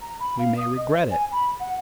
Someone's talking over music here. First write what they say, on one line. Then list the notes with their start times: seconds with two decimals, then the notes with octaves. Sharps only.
We may regret it.
0.01 A#5
0.20 B5
0.38 F5
0.57 D#6
0.77 D#5
0.95 C5
1.10 G#5
1.32 B5
1.59 F#5